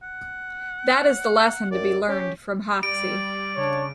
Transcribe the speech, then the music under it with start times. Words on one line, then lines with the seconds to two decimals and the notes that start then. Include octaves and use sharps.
That is the lesson to be learned from Hoxie.
0.03 F#5
1.71 F#2 D5
2.08 C#4 G4
2.83 G3 D5 D7
3.57 C#3 D4 C#5